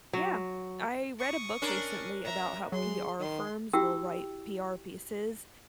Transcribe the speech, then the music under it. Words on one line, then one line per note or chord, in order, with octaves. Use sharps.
Yeah. I read a book recently about how PR firms will write PR pieces
F#3
C#6 D#6
C#4 D4 A#4
E5 A#5
F#3 G#4 C6
D#3 C6
E4 F#4 G4 G5 E6